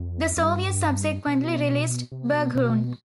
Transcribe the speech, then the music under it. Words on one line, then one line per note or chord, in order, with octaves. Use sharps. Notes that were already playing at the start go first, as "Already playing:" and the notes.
The Soviets subsequently released Barghoorn.
Already playing: F2
F2
G2
B2
C3
B2
B2